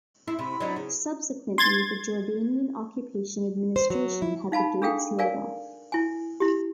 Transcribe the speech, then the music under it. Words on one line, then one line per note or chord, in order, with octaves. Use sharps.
Subsequently the Jordanian occupation administration had the gate sealed off.
E4 C6
C3 B5
F#3 D4 D#4
C#3
C6 G#6 A6
C5
F#3
E4
D#4 F5 A5 B5
D4 G#4 A4 F5 G5
A#4 D5 F5 G#5
E4 G#5
E4 G4